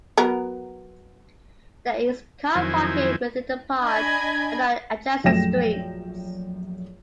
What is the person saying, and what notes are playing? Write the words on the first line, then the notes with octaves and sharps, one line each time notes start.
There is car parking within the park and on adjacent streets.
F#3 B3 A#4
F2 D#3 F#3 E4 C5 G#5
D4 D#5 G#5 B5 G#6
A#1 F#2 A3 G5 A#6 E7